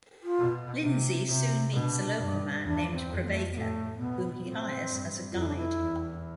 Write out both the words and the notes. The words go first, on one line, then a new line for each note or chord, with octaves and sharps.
Lindsay soon meets a local man named Prabaker whom he hires as a guide.
F4
B2
C3
C3
B2 D4
G2
E2 D4
C4
F2
B3
A3
A2 B3
A3
B2 B3
A2 C4
G2
F2 F4
E4
D4
E4
E2